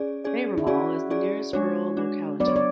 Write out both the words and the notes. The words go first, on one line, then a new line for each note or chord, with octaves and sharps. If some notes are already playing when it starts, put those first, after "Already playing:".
Bayramaul is the nearest rural locality.
Already playing: C#4 G#4 D5
C#4 G#4 D5
E4
C#4 F#4 G#4 D5
C#4 G#4 D5
G#3 D4 F#4 C#5
G#3 D4 F#4
F#3 B3 D4 D5
C#5
D5